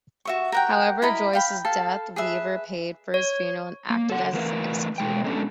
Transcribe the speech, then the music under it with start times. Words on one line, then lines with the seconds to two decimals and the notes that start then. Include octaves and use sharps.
However, on Joyce's death, Weaver paid for his funeral and acted as his executor.
0.25 F#4 E5 C#6
0.52 A#4 F#5 G5
1.02 E4 A#4 D#5 B5
1.33 F5 G5 B5
1.65 A4 F5 A5
2.16 G#4 B4 E5
3.14 C#5
3.90 A#3
4.10 A4 F#5
4.34 E3 A3 A#4 B4 F5
4.98 B2 G#3 G5
5.24 G#3 A3 B3 C#4 D4 A4